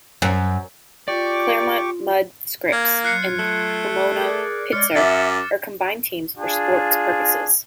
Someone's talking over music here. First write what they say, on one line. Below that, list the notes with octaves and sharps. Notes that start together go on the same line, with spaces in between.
Claremont-Mudd-Scripps and Pomona-Pitzer are combined teams for sports purposes.
F#2
F4 G4 D5 C#6 D6
A#3 G#6
F#3 F4 F#6 C7 C#7
A3
G#4 A#4 D5
G#3 C#5 D5 F6 C#7
F#2 E5 D6 A6
D4 F4 G#4